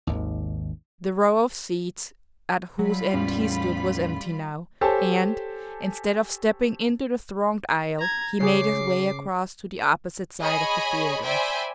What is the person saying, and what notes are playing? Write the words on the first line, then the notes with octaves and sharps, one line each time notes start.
The row of seats at whose end he stood was empty now, and, instead of stepping into the thronged aisle, he made his way across to the opposite side of the theatre.
G#1 D#2
F#3 G3 F4 B5
E2 A2 C#4
G4 A4 C5 C#5 G#5 A5
A#5 G#6
C#3 G#4 C#5 D6 C7
G#4 C#5 D#5 G#5 B5
C5 D5 E5 G5 G#5 B5